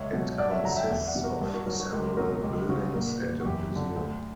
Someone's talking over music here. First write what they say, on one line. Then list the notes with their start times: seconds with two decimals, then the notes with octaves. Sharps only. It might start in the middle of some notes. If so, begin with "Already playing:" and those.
It consists of several buildings and a museum.
Already playing: C#2 C#5 E5
0.13 B2 F#3
0.38 G2 D5 F#5
0.51 C#5 E5
0.64 D3 F#3 F#5 A#5
0.76 E5 G5
0.89 E2 E5 G5
1.07 D5 F#5
1.15 B2 G3
1.23 F#4 A#4
1.42 G2
1.54 F#4 A#4
1.66 F#3 F#4 A#4
1.80 F#4
1.92 C#2 G4
2.17 B2 F#3 F#4 A#4
2.43 C#2 G4
2.69 C#3 F#3 F#4
2.94 A#2 F#4 A#4
3.20 G3
3.40 F#4
3.45 F#2 G4
3.71 D3 F#3
3.96 D2